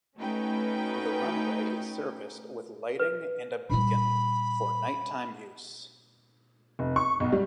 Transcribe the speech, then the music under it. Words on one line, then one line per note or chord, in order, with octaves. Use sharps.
The runway is serviced with lighting and a beacon for night-time use.
A3 C#4 D#4 F#4 B4 G5
B4
A#2 G3 B5
F1
C#6
B1
G3